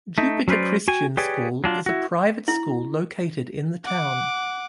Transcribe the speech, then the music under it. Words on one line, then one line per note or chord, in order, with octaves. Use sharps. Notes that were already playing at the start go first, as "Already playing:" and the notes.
Jupiter Christian School is a private school located in the town.
A3 D#4
F#3 C#4 B4 C5 D5
F#4 G5 G#5
G4 G#4 B4 C#5 D5
F#3 D4 F4
E4 F#4
E4
F#5 D6